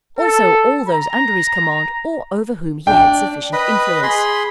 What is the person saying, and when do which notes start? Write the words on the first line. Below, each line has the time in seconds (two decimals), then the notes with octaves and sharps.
Also all those under his command, or over whom he had sufficient influence.
0.19 A4
0.88 A#5
2.87 D4 G5
3.53 B4 D#5 B5
4.03 G#4 B5 C6